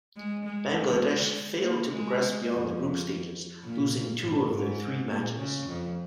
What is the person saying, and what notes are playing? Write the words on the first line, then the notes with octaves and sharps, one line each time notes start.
Bangladesh failed to progress beyond the group stages, losing two of their three matches.
G#3
G#3
G#3
A#3
G#3
F2
A#2
G#2
G#2
A#2
C#3
F2